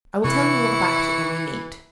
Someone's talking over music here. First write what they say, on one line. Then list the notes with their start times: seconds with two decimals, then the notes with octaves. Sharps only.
I will tell you all about it when we meet.
0.24 C3 E3 E4 C#6 C#7